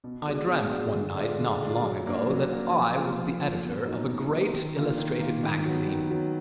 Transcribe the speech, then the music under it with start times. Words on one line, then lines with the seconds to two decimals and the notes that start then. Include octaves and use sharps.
I DREAMT one night not long ago that I was the editor of a great illustrated magazine.
0.04 B2
0.26 G#3 D4 F#4
0.48 B2
0.71 G#3 D4 F#4
0.93 D3
1.16 G#3 D4 F4
1.39 D3
1.61 G#3 D4 F4
1.83 F#3
2.06 A#3 D4
2.29 F#3
2.52 A#3 D4
2.73 F3
2.96 A#3 F4
3.19 F3
3.41 A#3 F4
3.64 B2
3.85 F#3 A#3 D#4
4.09 B2
4.31 F#3 A#3 D#4
4.53 D#3
4.76 A#3 F4
4.97 D#3
5.20 A#3 F4
5.43 D#3
5.66 F#3 B3
5.88 D#3
6.10 F#3 B3